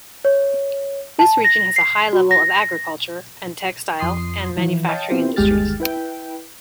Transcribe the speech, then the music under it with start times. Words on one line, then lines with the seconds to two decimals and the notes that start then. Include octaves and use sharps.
This region has a high level of agriculture and, textile and manufacturing industries.
0.25 C#5
1.19 A5
1.44 A#6
1.76 C7
2.13 F#4
2.31 A#6
3.99 F2 C6 D#6 C7
4.57 E3 F3
4.88 C#5 D#5 F5 G5 A5
5.10 B3 C4 E4 F4 G4 C5
5.36 G1 D#2 G#3 G4 F6 A6
5.80 E4 B4 G5